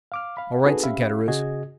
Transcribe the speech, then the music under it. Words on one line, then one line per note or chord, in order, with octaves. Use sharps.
"All right!" said Caderousse.
F5 D6 F6
F5 B5
C4 D#4 F#4 G#4 A4 B4
C#4 G4 E5 F5 B5
C#3 F#4 G#4 D#5 G#6